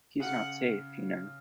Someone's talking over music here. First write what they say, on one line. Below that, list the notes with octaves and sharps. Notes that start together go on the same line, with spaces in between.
He's not safe, you know.
C#3 F#5